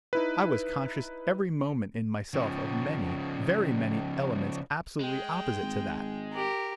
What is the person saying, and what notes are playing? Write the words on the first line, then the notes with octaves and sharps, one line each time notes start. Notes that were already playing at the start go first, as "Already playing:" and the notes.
I was conscious every moment in myself of many, very many elements absolutely opposite to that.
D#4 E4 B4
C#3 F3
G#3 G5
G#1
G4 A#4